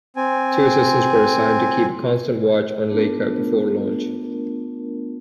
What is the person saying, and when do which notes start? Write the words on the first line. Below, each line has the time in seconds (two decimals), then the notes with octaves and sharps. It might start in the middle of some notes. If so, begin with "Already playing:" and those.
Two assistants were assigned to keep a constant watch on Laika before launch.
0.16 C4 G#5
2.89 A3 B3 D4 F4 A#4